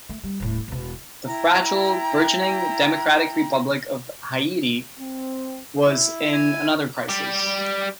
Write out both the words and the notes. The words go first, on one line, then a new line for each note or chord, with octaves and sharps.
The fragile, burgeoning democratic republic of Haiti was in another crisis.
A3
G3
D#1 A2
E1 B2
E4 G5 A#5
C4
E4
G#5
G3 G4